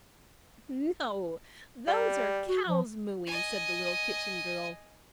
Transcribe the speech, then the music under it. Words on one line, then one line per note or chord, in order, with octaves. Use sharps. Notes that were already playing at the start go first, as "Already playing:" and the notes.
"No, those are cows mooing!" said the little Kitchen-girl.
G3
F#4
F3
D#5 G#5